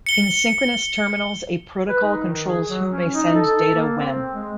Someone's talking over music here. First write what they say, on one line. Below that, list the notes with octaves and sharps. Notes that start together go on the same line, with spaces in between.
In synchronous terminals a protocol controls who may send data when.
C#7 G7
B4
D#4
D#3
G#4
F#3
C#4
D#4
A4
A#3
C4
G#3